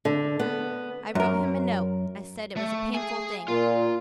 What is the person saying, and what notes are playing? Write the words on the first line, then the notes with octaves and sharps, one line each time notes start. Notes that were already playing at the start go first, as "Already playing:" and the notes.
'I wrote him a note, I said it was a painful thing.
D3
B3
F#2 A#4
A3
G#4 G#5
A#2 F4